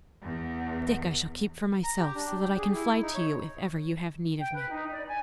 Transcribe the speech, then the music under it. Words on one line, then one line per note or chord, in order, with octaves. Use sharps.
The stick I shall keep for myself, so that I can fly to you if ever you have need of me.'
E2
A#5
G4
D4
G4
G#4
E4
D#4
C#5
G5
B4
D#4
D5
G#5